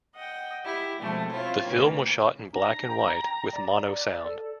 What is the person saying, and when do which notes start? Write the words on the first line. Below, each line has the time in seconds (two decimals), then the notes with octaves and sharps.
The film was shot in black and white with mono sound.
0.14 D#5 F#5 G5
0.66 E4 G4
1.00 B2 F3 G#3 A3 C4
1.32 C4 E4 F4 C#5
1.66 A2 C#3 E3 A#3
2.53 D4 A#5
2.89 G5
3.53 D5
4.25 A4